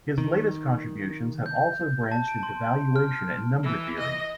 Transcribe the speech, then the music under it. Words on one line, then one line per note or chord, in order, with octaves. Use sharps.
His latest contributions have also branched into valuation and number theory.
D#3
G6
A5
D7
C6
F6
E3
D#5